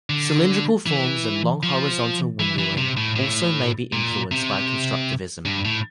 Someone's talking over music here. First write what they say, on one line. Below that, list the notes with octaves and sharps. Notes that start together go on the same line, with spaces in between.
Cylindrical forms and long horizontal windowing also may be influenced by constructivism.
D3
E3
F3
E3
E3
C3
A2
A2
A#2
C3
G2
A2